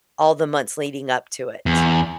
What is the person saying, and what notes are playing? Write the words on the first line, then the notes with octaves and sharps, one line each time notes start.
all the months leading up to it.
E2